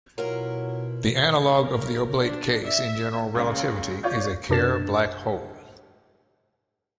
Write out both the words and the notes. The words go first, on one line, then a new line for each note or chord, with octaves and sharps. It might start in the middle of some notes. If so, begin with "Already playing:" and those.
The analogue of the oblate case in general relativity is a Kerr black hole.
B2 F#3 E4 F4 A#4
A#4
D4
E5
C#2 C#3
F4 C#5 D5 G6
F#2 C3 D4 A#4 A6 E7